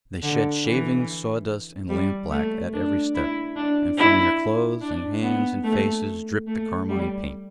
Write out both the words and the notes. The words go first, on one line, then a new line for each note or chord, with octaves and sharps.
They shed shavings, sawdust and lampblack at every step, and from their clothes and hands and faces dripped the carmine paint.
D3
E3
G3
A3
D4
E4
D4
E4
D4
B3
A3
A3
G3